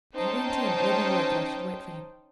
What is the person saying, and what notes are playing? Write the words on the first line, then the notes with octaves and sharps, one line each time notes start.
He went in, leaving word that I should wait for him.
C#4 D#4 C5 G5 A5